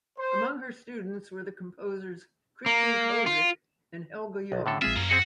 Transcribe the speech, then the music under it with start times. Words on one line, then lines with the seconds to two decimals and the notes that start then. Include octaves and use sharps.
Among her students were the composers Christian Kozik and Helge Jung.
0.19 C5
2.66 A#3
3.26 F4
4.52 B1
4.66 A2 D3 A4
4.82 A#1 G#3 C4 F4 G#4 E5
4.96 F#2 A#3 C#4
5.10 C4 F#4 G#4 D#5 C#7